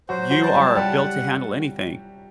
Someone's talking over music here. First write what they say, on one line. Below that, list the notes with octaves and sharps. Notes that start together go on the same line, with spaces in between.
You are built to handle anything.
F#3 F#4 C5
F#3 F#4
A5
G3 G4
G3 G4 F#5